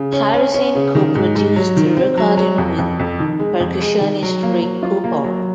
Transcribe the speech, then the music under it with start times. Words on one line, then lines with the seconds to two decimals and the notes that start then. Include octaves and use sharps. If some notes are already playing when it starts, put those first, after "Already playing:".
Harrison co-produced the recording with percussionist Ray Cooper.
Already playing: C#3
0.13 C#4
0.34 C#4
0.54 C#4
0.75 C#3
0.95 D#3
1.15 G#2
1.35 G#2
1.56 F#3
1.77 D#3
1.97 C4
2.17 F#3
2.37 F#3
2.58 F2
2.78 F2
2.99 F2
3.20 D#3
3.40 G#3
3.60 F2
3.82 G#3
4.01 D#3
4.22 F#3
4.43 A#3
4.62 F#3
4.83 F4
5.04 A#3
5.24 F#3